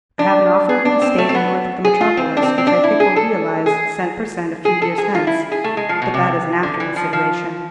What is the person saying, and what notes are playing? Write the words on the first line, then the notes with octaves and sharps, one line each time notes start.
I have an offer of an estate north of the metropolis, which I think will realize cent per cent a few years hence: but that is an after consideration.
D4
G#4
D4
C4
A3
C4
B3
G#4
F4
C4
D4
C4
C4
D4
E4
G#4
A4
G#4
G#4
A4
G#4
F4
E4
G#4
A3
G#3
F3
B2
C3
D3
E3
F3
F3